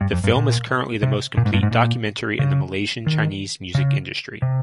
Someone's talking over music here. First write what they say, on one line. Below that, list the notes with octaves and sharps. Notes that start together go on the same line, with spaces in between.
The film is currently the most complete documentary in the Malaysian Chinese music industry.
G2
F2
G2
A#2
C3
A#2
G#2
G2
G#2
A#2
C#3
D#3
C#3
C3